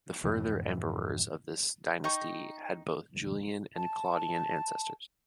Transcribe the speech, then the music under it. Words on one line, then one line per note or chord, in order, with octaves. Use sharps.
The further emperors of this dynasty had both Julian and Claudian ancestors.
F2 G#2 B2 E3
D#4 G5 A#5 C#6
A5